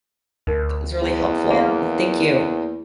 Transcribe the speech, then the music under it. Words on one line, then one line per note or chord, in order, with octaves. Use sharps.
that was really helpful, and thank you
D2 D#4 A#4
E2
A#3 G#4 F5 A#5